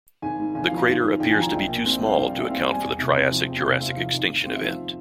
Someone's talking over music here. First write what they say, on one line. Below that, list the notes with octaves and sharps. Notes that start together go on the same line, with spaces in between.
The crater appears to be too small to account for the Triassic-Jurassic extinction event.
G#1 G#5
G#2
G#1 G#5
F5
F3
F5
G#1
G#2
G#1 G5
G#5
F3
A#5
A#1 G5
A#2
C4
G3
F5
A#1 G5
F5
A#2
E5
C4 F5
G3
G#5
E2
C3
C4
F3
E2 G5
F5
C3 E5
C4 F5
F5
F3
F5
G#1
G#2
C4 F5
E5
F3
F5